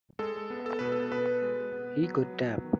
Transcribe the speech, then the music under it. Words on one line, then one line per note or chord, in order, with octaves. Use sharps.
He could tap.
G#3 A4
B3
A4
B2 B4
A4
B2 B4
G#3
B3
F#3
B3
D#3